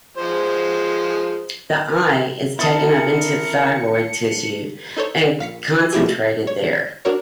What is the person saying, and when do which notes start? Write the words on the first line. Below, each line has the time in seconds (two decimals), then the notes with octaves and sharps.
The I is taken up into thyroid tissue and concentrated there.
0.17 F3 G#3 C5
2.59 D#3 C4 E4 A#4 A5 D#6 A6 C#7
4.97 D#4 A4 C5 C#5
5.39 A#1 F5 B6 C#7
5.93 F3 A3 E4 G4 G#4
6.47 C#5
7.05 D4 F#4 A#4 C#5